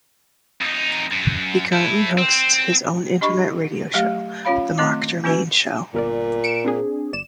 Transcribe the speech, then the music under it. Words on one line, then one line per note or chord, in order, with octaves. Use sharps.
He currently hosts his own internet radio show, "The Marc Germain Show".
F2 D#4
F#2
E4 A4
C4
D4 G4 D#5 B5 C#6
F#3 A3 G4 F5
C#4 F4 C#5 F5 B5
D#3 A3 C4 D#5 D6
A#3 C#4 D#4 F#4 B4 G#5
G1 A#2 A#4 D5
C#7 D7 E7
C4 D4 G#4
G1 D5 E7